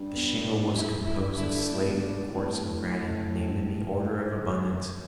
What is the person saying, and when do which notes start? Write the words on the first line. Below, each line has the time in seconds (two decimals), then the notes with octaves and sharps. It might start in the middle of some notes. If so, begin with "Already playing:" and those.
The shingle was composed of slate, quartz, and granite, named in the order of abundance.
Already playing: G2
0.14 B3
0.45 D4
0.76 E4
1.05 E4
1.36 D3 E4
1.66 D4
1.72 A2
1.82 B2
1.97 D4
2.28 A2 C4
4.09 A3
4.39 D3
4.69 F3